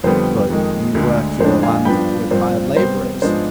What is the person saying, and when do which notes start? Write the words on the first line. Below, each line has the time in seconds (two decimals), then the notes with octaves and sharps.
"But you work your land with hired laborers?"
0.04 F2 D3 G3 B3 C5
0.50 F2 D#3 G#3
0.95 D2 D3 G#3
1.40 F2 D3 G#3 D4 C5
1.63 F5 G#5
1.85 G2 F3 B3 D4 G5 B5
2.31 G2 F3 C4 C5
2.77 C3 G3 B3 C5
3.22 G#2 F3 G#3 B3 D4 C5